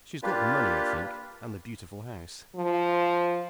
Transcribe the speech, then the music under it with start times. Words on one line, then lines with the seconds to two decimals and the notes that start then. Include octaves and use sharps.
"She has got the money, I think--and the beautiful house."
0.23 A#3 D4 F4 G4 B4
2.56 F3